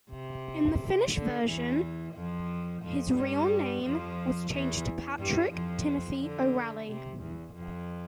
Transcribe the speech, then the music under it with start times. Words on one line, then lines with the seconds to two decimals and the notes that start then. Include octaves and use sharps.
In the Finnish version his real name was changed to Patrick Timothy O'Ralley.
0.11 C3
1.13 D3
1.46 E2 E3
2.14 F2 F3
2.82 F2 F3
3.15 G2 G3
3.83 F2 F3
4.51 E2 E3
5.18 G2 G3
5.53 F2 F3
6.21 D3
6.88 C3
7.21 E2
7.55 F2